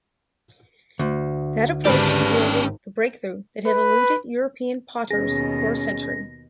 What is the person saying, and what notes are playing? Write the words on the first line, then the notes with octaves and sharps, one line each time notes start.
That approach yielded the breakthrough that had eluded European potters for a century.
D2
G#1 D3 G#3 C#4 G4 B4 D5
B4
D#2 B2 C#4 G#4 A#6